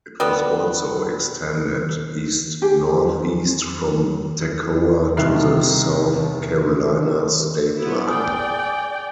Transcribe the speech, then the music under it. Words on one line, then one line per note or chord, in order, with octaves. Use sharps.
It was also extended east-northeast from Toccoa to the South Carolina state line.
G3 B3
G4 G#4
C2 D#3 E5 F6 F#6 C7
B3 E4
G#4 D5 G5